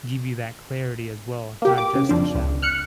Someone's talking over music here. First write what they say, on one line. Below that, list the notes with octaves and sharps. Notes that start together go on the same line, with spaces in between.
give you that clarity as well, not just the shower.
A#3 G4
D6
C#3
F2 D4
C#2
F6 F#6 C#7